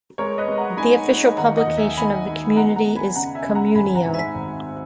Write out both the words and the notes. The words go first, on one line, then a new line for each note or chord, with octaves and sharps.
The official publication of the community is "Communio".
G#3 A#4 C#5
B4 D#5
G#3
F#5 A#5
D#4 G#5 B5
D#4
D#3 F#5 A#5
D#5 F#5
D#2
E5 G#5
D#3 G#5 B5
D#3
B3 F#5 A#5
F#5 A#5
B3
G#5 B5
C#3 F#5 A#5
E5 G#5
C#3
F#5 A#5
G#1 G#5 B5
F#5 A#5
G#2
E5 G#5
G#1